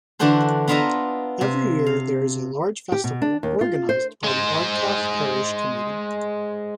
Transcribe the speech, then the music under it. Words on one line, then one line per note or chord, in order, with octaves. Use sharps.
Every year there is a large festival organised by the Ardcath Parish Committee.
D3 E3 D4 F#4 A4 C5
B3 D4 F4 D#5 E5 A#5
C3
F5
G4
B2
D4
D#2
F4
C5
G#3 C5